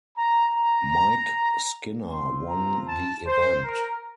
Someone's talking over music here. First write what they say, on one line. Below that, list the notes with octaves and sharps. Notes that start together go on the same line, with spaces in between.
Mike Skinner won the event.
A#5
A#5
C4 F4 C6
A#5
A5
C5
A#4